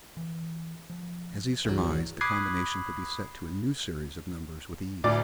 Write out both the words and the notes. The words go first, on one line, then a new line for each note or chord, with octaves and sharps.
As he surmised, the combination could be set to a new series of numbers with ease.
E3
F3
B1 E2 G2 F#3
B5 D6 D#6 F#6 G#6 C7
D2 A2 D5 D6